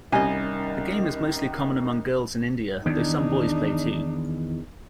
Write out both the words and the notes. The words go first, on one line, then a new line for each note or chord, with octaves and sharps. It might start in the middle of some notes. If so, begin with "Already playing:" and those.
The game is mostly common among girls in India, though some boys play too.
C2 D#3 G3 C#4 D#5 G#5
E2 D#3 D4 D#4